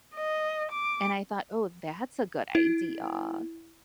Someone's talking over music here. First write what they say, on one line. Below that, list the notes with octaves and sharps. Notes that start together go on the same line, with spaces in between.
and I thought, "Oh, that's a good idea."
D#5
D6
E4